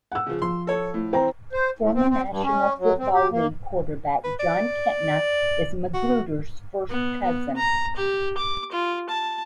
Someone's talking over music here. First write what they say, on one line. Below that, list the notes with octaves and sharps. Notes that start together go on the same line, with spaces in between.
Former National Football League quarterback Jon Kitna is Magruder's first cousin.
F#5 E6
C#3 F3
F3 C6
A4 C#5
A2
E3 C4 C5 G5 A#5
C5
A2
C4
C4
G2
C#4
F#3
C4
G4
A#3
B4
D5
F#4
B3
B3
A#5
G4
D6
F4
A5